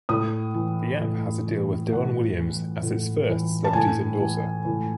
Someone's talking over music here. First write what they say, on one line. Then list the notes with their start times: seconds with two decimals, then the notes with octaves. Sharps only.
The app has a deal with Deron Williams as its first celebrity endorser.
0.09 A2 D#6
0.54 E3
1.00 A2
1.46 E3
1.92 A2 F#5
2.37 E3
2.82 A2
3.29 E3
3.64 A5
3.73 A2 G#5
4.20 E3
4.65 A2